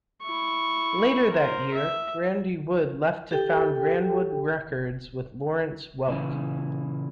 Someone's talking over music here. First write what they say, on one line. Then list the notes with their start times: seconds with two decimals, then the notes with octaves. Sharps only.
Later that year, Randy Wood left to found Ranwood Records with Lawrence Welk.
0.23 E4 C#6
1.30 A#4 C5
1.74 E5
3.31 G4 A4 G5
6.08 A#2 C#3 E3